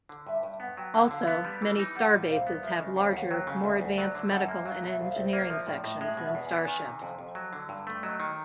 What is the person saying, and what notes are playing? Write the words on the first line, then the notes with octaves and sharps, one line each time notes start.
Also, many starbases have larger, more advanced medical and engineering sections than starships.
D3
G2 E5
G2
B3 F#5
F#3 G5
D3 F#5
D3 F5
B3
G3
E3
D#4
G3 F#5
A#2
C2 F5
B3
F3 E5
C#3 D#5
D#2 F5
D#2 F#5
F#3 G5
C#3 F5
D2 E5
D2
F#3 D5
D3
F#2 F#5
A#3
F#3 F5
B2 E5
C2 F5
E5
C2
A#3 D5
F3 E5
A2 D5
A2 D#5
G#3 E5
B2
E5
E2
G#5
B3
D#3
C3
F2
F2
F#3
D3
G2
A3
F#3 D#5
D#3